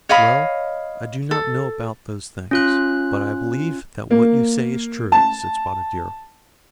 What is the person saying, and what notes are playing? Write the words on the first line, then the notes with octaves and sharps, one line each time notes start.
"Well, I do not know about those things, but I believe that what you say is true," said Spotted Deer.
C#5 D#5 F5 B5
A4
C#4 F4 F#6
A#3
A5